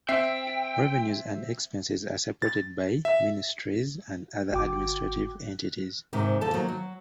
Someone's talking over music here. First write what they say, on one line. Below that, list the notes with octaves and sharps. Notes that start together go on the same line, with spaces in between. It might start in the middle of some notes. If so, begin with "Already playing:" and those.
Revenues and expenses are separated by ministries and other administrative entities.
C4 E5 G5 C7
A6
E5
G1 F#4 G5 D6
G#2 C3 D#3
E2 F3 A4 A5
D#3 F3 F#3 A#3
F#3